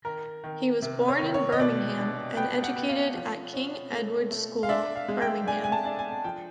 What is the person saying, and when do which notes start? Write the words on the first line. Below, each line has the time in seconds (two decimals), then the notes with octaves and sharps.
He was born in Birmingham, and educated at King Edward's School, Birmingham.
0.05 D#3 A#4
0.44 D#3
0.82 C3
1.08 C#5
1.21 D#3
1.34 C#5
1.52 D#5
1.59 B2 D5
1.99 D4
2.37 B3 G5
2.63 F#5
2.76 B3
2.89 F5
3.15 F3
3.54 C#4
3.92 A3
4.31 A3
4.63 F5
4.69 D4 E5
4.96 F5
5.08 G#3
5.22 G5
5.47 D4 G#5
5.64 G#5
5.72 A5
5.85 D4
5.99 G#5
6.24 F3 G5